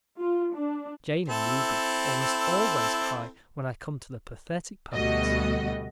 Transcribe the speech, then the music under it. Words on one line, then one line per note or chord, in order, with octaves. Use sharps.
Jane and Ruby almost always cry when I come to the pathetic parts.
F4
D4
C4 E4 A4
D2 B2 G3 A3 F#4 D#5